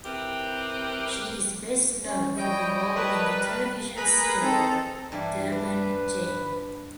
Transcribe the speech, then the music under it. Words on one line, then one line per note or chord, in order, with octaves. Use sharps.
She is best known for the role in the television serial "Durban Gen".
C4 E4 G4 A#4 B4
C#4
G3 E4 C#5 D#5 G5
A#4 B4 A5
G#4 A#4 B4 A#5 B5
C4 D#4 A4
G2 E3 D4
D4 B4